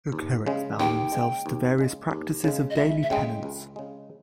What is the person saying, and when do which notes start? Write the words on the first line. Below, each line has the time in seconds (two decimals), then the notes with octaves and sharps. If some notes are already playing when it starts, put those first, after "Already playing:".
The Clerics bound themselves to various practices of daily penance.
0.12 D#2
0.46 C#3 G#3
0.79 D#2 G5
1.12 C#3 G#3
1.46 D#2
1.78 C#3 G#3
2.11 D#2
2.44 C#3 G#3
2.70 D#5
2.77 C#2 E5
3.03 E5
3.10 C#3 G#3 G5
3.43 C#2
3.76 C#3 G#3